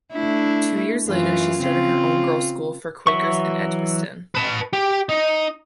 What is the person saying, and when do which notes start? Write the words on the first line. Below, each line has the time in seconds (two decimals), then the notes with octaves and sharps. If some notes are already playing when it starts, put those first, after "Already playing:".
Two years later she started her own girls school for Quakers in Edgbaston.
0.13 A3 D4 E4
1.08 F#2 E3 F4
1.61 C#3 C4 F4
3.07 E3 F#3 E5 C#6
4.35 B4 A5
4.73 G4
5.09 D#4